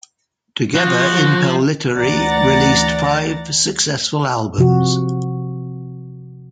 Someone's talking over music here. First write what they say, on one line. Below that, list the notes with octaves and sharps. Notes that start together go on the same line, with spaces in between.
Together, Impellitteri released five successful albums.
F3 F#4
D2 E3 D5 F#5 A#5 A6
C3 F3 F#4